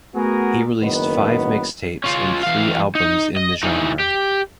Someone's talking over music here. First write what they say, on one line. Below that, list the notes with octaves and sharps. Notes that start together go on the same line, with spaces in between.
He released five mixtapes and three albums in the genre.
A3 B3 F#4 G#4 A#4
F#1 D#3 B3
C#4 F4
E2 F5
D#4
D#5
E3 D#4
G4